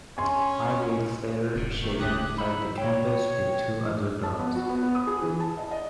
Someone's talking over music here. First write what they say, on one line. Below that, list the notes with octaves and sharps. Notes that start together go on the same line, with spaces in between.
Five weeks later, she again fled the campus with two other girls.
C#4 G#5 C6
D#1 G2 B2
C3 D#3 A3
C#2 G2 G4 D#6 F#6
D#4 E4 B5
C#5 G5
A5
B3
F#4
B3
B3
D#6
G#4
E3
A5
D#5
D#5